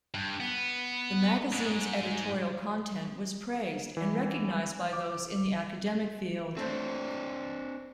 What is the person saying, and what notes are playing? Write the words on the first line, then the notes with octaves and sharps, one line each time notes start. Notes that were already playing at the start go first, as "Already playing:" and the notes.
The magazine's editorial content was praised and recognized by those in the academic field.
G2
B3
G#2
E3
D6
A3 C4 D4 C5